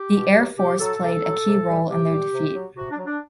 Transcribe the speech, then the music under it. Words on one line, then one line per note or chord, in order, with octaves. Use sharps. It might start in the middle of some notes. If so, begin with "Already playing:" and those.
The air force played a key role in their defeat.
Already playing: G4
B2
F#3
C3 G4
F#3 A4
C3 A4
F#3
C3
G3
C3 G4
G3
C3
F#3
C3 F#4
D4
F#3
D4